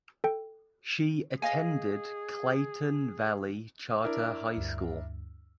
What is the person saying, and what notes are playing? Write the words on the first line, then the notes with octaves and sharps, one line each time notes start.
She attended Clayton Valley Charter High School.
A4 G5
G#4 D#5 F5 G#5
D4 E4 A#4
D2 G2